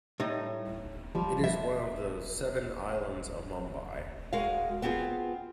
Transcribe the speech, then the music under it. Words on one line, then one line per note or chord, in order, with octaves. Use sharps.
It is one of the seven islands of Mumbai.
A2 G3 D#4
F3 G3
E5
G#3 F#4 A#4 F5
B3 C4 F4 G4 G#4